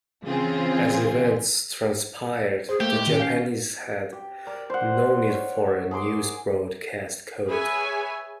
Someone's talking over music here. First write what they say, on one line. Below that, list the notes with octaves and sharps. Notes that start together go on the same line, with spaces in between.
As events transpired, the Japanese had no need for a news broadcast code.
C#3 E3 C4 F4 G#4
G#4 C5
A3 A#3 G4
A2 G#3
D#3 C#4
F5 G6 C7
G4
A#4 D5
C5 F#5
C#5
E5
G#4 A#4 C6 D6
G#4 B4 C#5 E5 G#5